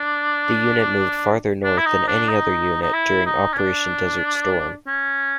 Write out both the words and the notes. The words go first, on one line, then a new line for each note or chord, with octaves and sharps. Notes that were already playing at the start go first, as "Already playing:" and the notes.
The unit moved farther north than any other unit during Operation Desert Storm.
Already playing: D4
D4
E4
D#4
D4
D#4
D#4
E4
D#4
C#4
D4
C#4